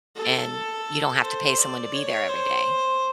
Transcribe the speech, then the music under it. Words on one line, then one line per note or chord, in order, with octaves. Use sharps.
and you don't have to pay someone to be there every day.
A4
C5
D5
C#5
C5